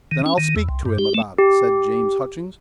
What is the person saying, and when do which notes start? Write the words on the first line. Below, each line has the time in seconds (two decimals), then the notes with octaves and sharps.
"Then I'll speak to him about it," said James Hutchings.
0.11 D#3
0.26 C#4
0.38 D#3
0.56 E2
0.69 C2
0.85 G2
0.99 G4
1.14 A3
1.38 G4